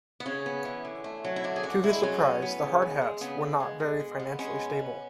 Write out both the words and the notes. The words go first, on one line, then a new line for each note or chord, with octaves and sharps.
To his surprise, the "Hardhats" were not very financially stable.
B3
C#3 C#4
B3
E3
D3
A3
F#3
E4
D3 D4
G#4
F#2 F#4
G#3 E4
F#3 C#4
A2
B3
C#3
E2
G#3
C#3 B3
B3
G#3
G#3
B2
B3
G#3 C#4
B2
B3